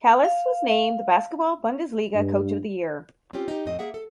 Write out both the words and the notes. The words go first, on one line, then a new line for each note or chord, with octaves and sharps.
Calles was named the Basketball Bundesliga Coach of the Year.
F5
G2
C4 C#4 F4 G4
D#4 G4
F2 A2 C4 D#5
A#3 G#4 E5 F#5
A4